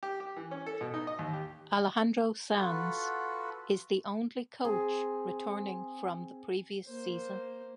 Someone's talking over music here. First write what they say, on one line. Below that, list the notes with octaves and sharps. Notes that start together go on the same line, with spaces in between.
Alejandro Sanz is the only coach returning from the previous season.
G4
G4
E3
C#4
A4
B2
D#4
D#5
D#2
G4
F4 F#4 A4 B4 F#5 B5
C4 G#4
A#3 C5